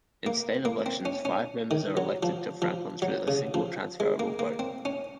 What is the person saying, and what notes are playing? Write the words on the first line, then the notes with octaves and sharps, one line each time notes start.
In state elections, five members are elected to Franklin through the single transferable vote.
A#3
A#3
C4
C#4
C#4
D#3
F#3
F3
F3
F#3
C#3
F3
G#3
A#3
A#3
C4
C#4